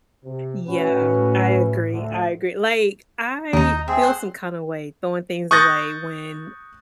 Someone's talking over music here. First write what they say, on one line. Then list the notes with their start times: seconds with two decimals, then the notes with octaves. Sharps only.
Yeah, I agree, I agree, like, I feel some kinda way throwing things away when
0.24 C3
0.66 A2 C#4 F#4 B4
1.92 D2 D3
3.53 D#2 D#4 D#5 A#5
3.88 C4 G#4 E5
4.02 C5 F#5 C6
5.51 C#6 D#6 F#6 G6 A6 A#6